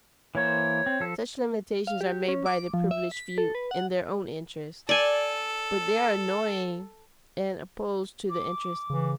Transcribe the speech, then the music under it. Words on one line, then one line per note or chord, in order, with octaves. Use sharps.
Such limitations are made by the privileged few in their own interest, but they are annoying and opposed to the interests of the many.
E3 A#3 C5 C#5
C4
F3 A4
F5
G4
C#4
D6
F3
E5
B6
A4
B4
F#5
A4 D5 G#5
D6
C#3 E3